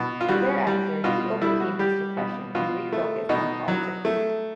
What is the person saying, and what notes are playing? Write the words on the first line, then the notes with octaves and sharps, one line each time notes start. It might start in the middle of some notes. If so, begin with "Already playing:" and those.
Thereafter, he overcame his depression and refocused on politics.
Already playing: B2
F4
G3 F#4
G3
B2 F4
G3 E4
F#4
G3 G4
B2
B2 F4
A3
B2 D#4
F#3
A3